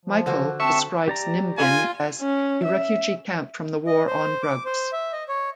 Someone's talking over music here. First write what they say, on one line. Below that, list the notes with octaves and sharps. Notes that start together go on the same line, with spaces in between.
Michael describes Nimbin as "a refugee camp from the war on drugs".
F3
D3 F#4 C5
C4 E5 A5 C#6
G4 D5 A#5
F4 G#5
C#4
E5
D#5
C5
D6
C5
E5
D#5
C#5